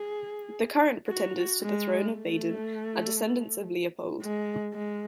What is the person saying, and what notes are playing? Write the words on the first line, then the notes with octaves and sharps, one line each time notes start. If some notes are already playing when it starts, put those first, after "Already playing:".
The current pretenders to the throne of Baden are descendants of Leopold.
Already playing: G#4
F#4
G#3
A3
G#3
G#3